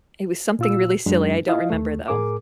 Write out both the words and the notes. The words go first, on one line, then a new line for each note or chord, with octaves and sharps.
It was something really silly, I don't remember, though.
A#2 F4 E6
F#2 F#3 G#3 D4
E4 F4 D#5 F5
D#2 A3
A2 G#4 A#4 D6